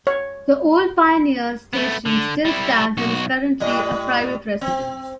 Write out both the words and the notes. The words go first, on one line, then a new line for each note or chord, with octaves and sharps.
The old Pioneer Station still stands and is currently a private residence.
C#5
A3 B3
D3
G3 E4
B1 F#4
A2 G3 D#5
C4